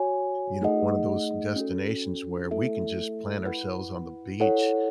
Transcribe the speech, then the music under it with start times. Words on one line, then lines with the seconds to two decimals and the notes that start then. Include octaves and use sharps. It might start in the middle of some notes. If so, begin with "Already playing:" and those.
you know, one of those destinations where we can just plant ourselves on the beach
Already playing: F#4 C#5 G#5
0.61 A3 D#4 G#4 D#5 F#5
1.56 C#4 F#4 A4
2.51 A3 E4 A4 E5
3.45 E4 B4 F#5
4.40 E4 A4 C#5 F#5